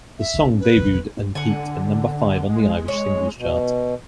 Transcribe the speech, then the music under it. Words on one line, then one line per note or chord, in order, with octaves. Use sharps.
The song debuted and peaked at number five on the Irish Singles Chart.
E5
D1 G#1
C#4 D4
B4
F#1 B1 E2
D3 F#5 G#5
G#3
C#5
B2